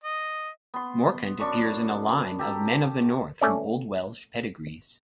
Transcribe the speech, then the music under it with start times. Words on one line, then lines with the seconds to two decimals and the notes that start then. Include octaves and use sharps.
Morcant appears in a line of "Men of the North" from Old Welsh pedigrees.
0.04 D#5
0.74 B3 C6
1.40 F#2 D4 C#6
2.39 G4 A4 A#5
3.41 A3 C#4 D5